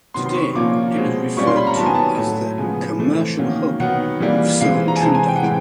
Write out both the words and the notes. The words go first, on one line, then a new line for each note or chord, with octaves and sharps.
Today it is referred to as the 'Commercial Hub of Southern Trinidad'.
C3 D#3 F#3 B3 C6
C6
C#6
A#2 F3 A#3 C#4 D6
B2 G#3 C4
A#2 G3 A#3 C#4 C#6
C6
B5
A#5
D#3 F#3 B3 A5
G#5
A5
A2 F#3 A3
C#3 F3 G#3 B3 G#5
E3 A3 C4
D#3 F#3 A#3 C#4
D#3 F#3 B3 F#5
E3 G3 A#3
E3 G#3 C4 F5
A#5
G#5
C3 E3 G#3 C4 A5
G#5
G5
F#5
A2 E3 G#3 C4 G5